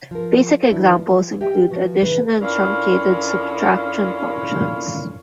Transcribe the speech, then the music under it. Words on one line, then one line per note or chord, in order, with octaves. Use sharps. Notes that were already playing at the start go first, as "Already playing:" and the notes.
Basic examples include the addition and truncated subtraction functions.
F3 A#4
D#3 E3 D4 E4
F3
G4 D#5 E5 G5 G#5
F3 F#4 B4
A#2 C#3 E3 A3 D#4 B4
F2 C#4 D4 E4 A#4 F5